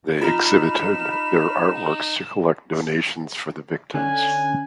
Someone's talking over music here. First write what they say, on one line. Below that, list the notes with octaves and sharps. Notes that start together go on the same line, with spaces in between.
They exhibited their artworks to collect donations for the victims.
D#4 F4 A#5 B5 F6 E7
D3 C#4 G#5 F#6